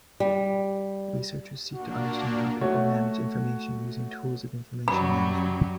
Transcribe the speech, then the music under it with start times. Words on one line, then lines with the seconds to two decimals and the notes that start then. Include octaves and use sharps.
Researchers seek to understand how people manage information using tools of information management.
0.20 G3
1.75 A#2 A#3 D4 F#4
2.61 A3 F#4 C#5
4.88 F#2 F#3 G3 B5